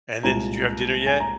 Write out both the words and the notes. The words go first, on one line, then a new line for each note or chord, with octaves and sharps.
And then did you have dinner yet?
C2 A#2 G#3 A#5
G#5
A#5